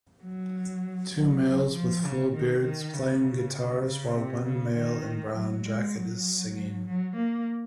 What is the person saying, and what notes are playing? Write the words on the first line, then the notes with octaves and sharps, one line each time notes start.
Two males with full beards playing guitars while one male in brown jacket is singing.
F#3
F#3
F3
C#3
D#3
D#3
C#3
C#3
C3
C#3
D#3
F#3
G#3
F#3
F#3
A#3